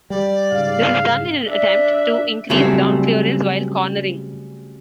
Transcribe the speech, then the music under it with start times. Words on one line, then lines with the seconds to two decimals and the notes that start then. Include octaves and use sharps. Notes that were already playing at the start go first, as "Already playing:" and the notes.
This was done in an attempt to increase ground clearance while cornering.
0.10 G3 D5
0.52 G#2 C#3 F5
1.47 D4 E5
2.50 C#3 F#3 G3 A3 C4